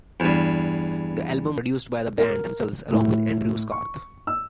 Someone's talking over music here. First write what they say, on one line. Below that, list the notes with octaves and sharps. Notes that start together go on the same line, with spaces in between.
The album was produced by the band themselves, along with Andrew Scarth.
E2 G2
A#4
A2
C#6
E6